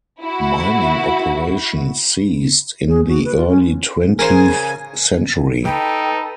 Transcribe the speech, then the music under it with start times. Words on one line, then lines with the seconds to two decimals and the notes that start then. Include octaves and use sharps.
Mining operations ceased in the early twentieth century.
0.21 E4 F#4
2.88 G#4
3.08 F#4
3.25 B4
3.36 F4
3.49 C#4
4.19 C#3 A#4 C5 G#5
5.65 D#4 A4 B4 G5